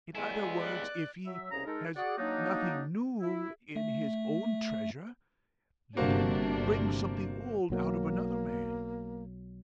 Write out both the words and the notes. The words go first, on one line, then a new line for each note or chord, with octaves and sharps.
In other words, if he has nothing new in his own treasure, let him bring something old out of another man's.
C#2 G3 G#3 B3 E4 G#5
D5 F#6
F#3 E5
C2 C#3 C#4 G#4 A#5
G#3 D#4 A4 A#4
F#4 G#4 D5 F#5
F#3 A#3 D4 D#4
E4
A3 E5
G1 C3 A#3 D4 F#4 C5
B1 F#3 A#3